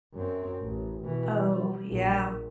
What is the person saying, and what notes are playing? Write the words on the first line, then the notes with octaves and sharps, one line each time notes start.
Oh, yeah.
F#2 C4
A1
B2 E3
G3
A#1 A#2